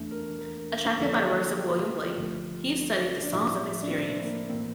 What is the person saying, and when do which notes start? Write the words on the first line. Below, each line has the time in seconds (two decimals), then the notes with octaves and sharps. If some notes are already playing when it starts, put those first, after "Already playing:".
Attracted by the works of William Blake, he studied the "Songs of Experience".
Already playing: E2 E3 A3 D4
0.11 A#4
0.41 A#4
0.99 D2 D3 F3 A#3 E4 A4
1.29 G4
1.58 G4
1.86 F4
2.16 G1 G2 D3 F3 A3
3.23 D4
3.33 A2 F3 A3 E4
3.82 D4
3.91 C4
4.21 A#3
4.49 A2 E3 A#3 C4